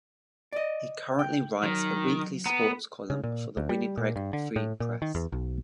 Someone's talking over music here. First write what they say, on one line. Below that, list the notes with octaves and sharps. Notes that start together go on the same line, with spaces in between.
He currently writes a weekly sports column for the "Winnipeg Free Press".
D5 D#5
G5
D#3 F#3
B3 A#5
C#3
A#2
D2
G3
A#2
G2
D3
A2
A#2
D#3
E2
B1